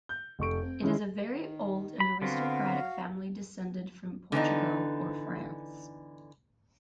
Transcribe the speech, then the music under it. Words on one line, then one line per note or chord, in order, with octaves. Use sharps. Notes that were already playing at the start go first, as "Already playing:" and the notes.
It is a very old and aristocratic family descended from Portugal or France.
G6
F1 A4 C#6 D7
C4
D#3 G#3 C#4 E4
D#3
B5
D3 B3 C4 F#4 F5
D3 E3 B3 D#4